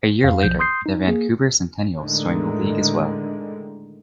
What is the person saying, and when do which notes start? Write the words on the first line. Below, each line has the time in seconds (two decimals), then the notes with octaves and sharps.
A year later, the Vancouver Centennials joined the league as well.
0.24 F2 F5
0.43 B1 F3 G6
0.59 C6 D#6 G6 C7
0.86 D#4
1.07 A#3 G#4
1.97 A2 D3 D#3 G#3